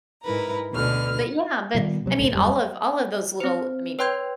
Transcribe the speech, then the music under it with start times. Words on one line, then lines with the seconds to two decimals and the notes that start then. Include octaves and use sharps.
Um, but yeah but, I mean, all of all of those little I mean,
0.22 G#2 E4 A#4 B4 A#5
0.71 D2 B2 D3 B4 F6
1.75 A#2 D#3 G3 B3
2.06 C3 F#3 B3
2.17 C2 A2 D3 A3
2.30 D#1 F#2 G3
3.40 C4 C5
3.99 B4 C#5 G5 C6 G6 G#6